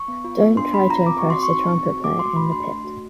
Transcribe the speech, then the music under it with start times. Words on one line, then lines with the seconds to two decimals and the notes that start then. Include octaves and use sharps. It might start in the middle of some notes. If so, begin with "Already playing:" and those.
Don't try to impress the trumpet player in the pit.
Already playing: C#6
0.08 B3
0.24 F4
0.41 B3
0.57 D4 C6
0.73 B3 B5
0.89 F4 A#5
1.06 C4 D6
1.18 F#4 C#6
1.30 C6
1.38 C4 C#6
1.55 D#4
1.71 C4
1.88 F#4
2.03 A3 D6
2.19 F#4 C6
2.36 A3 B5
2.52 D4 C6
2.68 A3
2.84 F#4